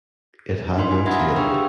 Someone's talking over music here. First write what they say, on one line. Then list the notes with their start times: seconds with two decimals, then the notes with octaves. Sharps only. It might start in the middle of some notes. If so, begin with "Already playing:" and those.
It had no tail.
0.77 D4 D#4 F4 B4 D#5 C6
0.91 G#5
1.06 E5 F#5 B5 C6 D#6 G#6
1.19 E5 F5 A#5
1.36 D4 G#4 B4 G5 C#6 E6
1.51 G4 G#4 G5